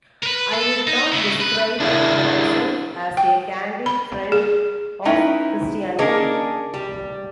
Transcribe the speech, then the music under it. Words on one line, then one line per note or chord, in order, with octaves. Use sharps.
I would now describe myself as a candid friend of Christianity.
A#4 B4
A4
D#4
C#3 A3
B4
D4 E4 G#4 A#4 E5
G5
B5
G#4
C#4 D#4 E4 B4 G5
A#3 C#4 D4 G#4 A#4 D#5
G3